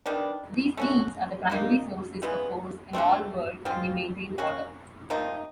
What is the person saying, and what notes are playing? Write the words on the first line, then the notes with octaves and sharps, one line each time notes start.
These Beams are the primary sources of force in All-World and they maintain order.
D#3 G3 B3 D4
A3 C#4 F#4
D3 F#3 A#3 D#4
C#3 E3 G#3 B3
D3 F#3 A3 C4
F3 G#3 C4 F4
A#3 C#4 F#4
C3 F3 A#3 D#4